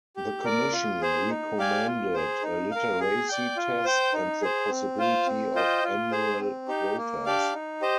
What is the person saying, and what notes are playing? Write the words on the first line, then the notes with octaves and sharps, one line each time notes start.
The Commission recommended a literacy test and the possibility of annual quotas.
G4
A#4 D5
F4
G#4 C5
D#4
G4 D5 F5 G#5
F4
G#4 C5
D#4
A#4 F5
G#4
D5 G5
F4
C5 G5
D#4
G#4 C5
C4
F4 C5 F5
C4
F4 C5 D#5 G5
F4
G#4 C5
C4
D#4 G4
A#3
D4 G4 D5 F5
D#4
G4 C5 D#5